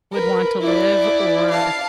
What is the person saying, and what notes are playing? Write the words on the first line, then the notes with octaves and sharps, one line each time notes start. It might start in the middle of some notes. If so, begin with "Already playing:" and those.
would want to live or,
A#4 B4
E4 D5
F5 A5